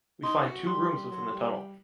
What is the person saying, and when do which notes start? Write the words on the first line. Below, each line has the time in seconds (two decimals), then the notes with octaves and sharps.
We find two rooms within the tunnel.
0.23 D#4 C6
0.45 F#4
0.67 G3 C6
0.89 G3
1.11 F#3
1.33 G3
1.53 G3